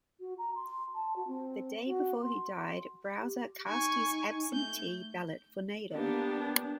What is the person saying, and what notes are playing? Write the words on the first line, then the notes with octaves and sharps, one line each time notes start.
The day before he died, Brower cast his absentee ballot for Nader.
F#4
A#5
C6
A5
F#4
C4
F#4
C6
G4
D#4 G#5 C#6
A3 G6
A#3 B3 D4 G4